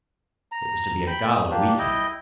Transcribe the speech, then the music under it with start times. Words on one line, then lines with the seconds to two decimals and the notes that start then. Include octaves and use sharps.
It was to be a gala weekend.
0.52 A#5
1.07 G5 B5
1.31 D#6
1.51 A#3 D4 G4
1.79 E4 D#5 G5